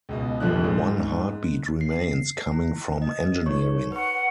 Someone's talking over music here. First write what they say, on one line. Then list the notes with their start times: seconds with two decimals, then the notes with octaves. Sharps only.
One heartbeat remains, coming from Engineering.
0.09 C#2 B2 D#5
0.40 F1 A#1 D3 F3 D4 F#6
0.64 G#2
1.81 C7
2.52 E4
3.02 D#5
3.46 D#4 C#5 C#6
3.92 B4 F#5 C#6